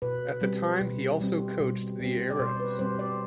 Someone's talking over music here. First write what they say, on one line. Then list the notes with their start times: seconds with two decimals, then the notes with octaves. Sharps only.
At the time, he also coached the Arrows.
0.02 B2 B4
0.41 G3 C4
0.81 B2
1.21 G3 C4
1.60 B2
2.00 G3 C4
2.30 D5
2.39 B2 C5
2.60 B4
2.79 G3 C4 C5
2.99 D5